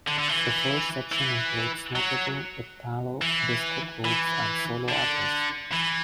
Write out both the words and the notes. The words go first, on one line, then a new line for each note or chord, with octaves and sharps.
The first section includes notable Italo disco groups and solo artists.
D3
D3
E3
E3
F#3
E3
E3
D3
E3